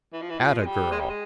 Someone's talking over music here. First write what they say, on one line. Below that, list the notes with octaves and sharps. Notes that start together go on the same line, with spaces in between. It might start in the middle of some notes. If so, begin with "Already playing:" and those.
Atta girl!
E3
F3
E3
F3
G#3
G3
G#3
G3
G#3